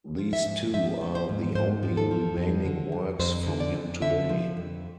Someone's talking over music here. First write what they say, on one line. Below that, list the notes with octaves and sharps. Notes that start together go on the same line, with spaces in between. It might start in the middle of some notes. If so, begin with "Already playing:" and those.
These two are the only remaining works from him today.
F3
E5
G#2
F3 E5
F3
C5
G#2
G#2 C5
F3
A4
F3
F2
D3
F2
F2 C5
D3
D5
F2
D3 E5
F3
F2